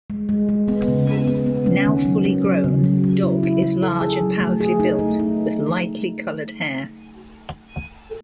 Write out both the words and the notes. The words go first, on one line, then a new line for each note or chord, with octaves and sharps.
Now fully grown, Dog is large and powerfully built with lightly colored hair.
G#3
G#3
G#3
B3
C#3
B3
B3
B3
C#4
D#3
F#3
C#4
F#3
C#3
F#3
F#3
E4
E4
E4
A4
G#4
F#3
A3
G#4
D#4
A3
D#4